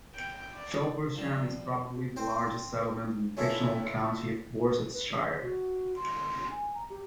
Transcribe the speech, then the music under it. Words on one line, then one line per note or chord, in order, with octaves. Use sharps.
Felpersham is probably the largest settlement in the fictional county of Borsetshire.
G5
D5
F3 G3 C4
C4 C5
A3 C#4 D4 E4 F4 E5
B4
B4
G#4
F#4
C6
G#5
A#5
G4